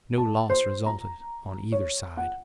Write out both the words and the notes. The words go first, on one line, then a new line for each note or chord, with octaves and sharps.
No loss resulted on either side.
A5
C5
A#5
C#5
F#5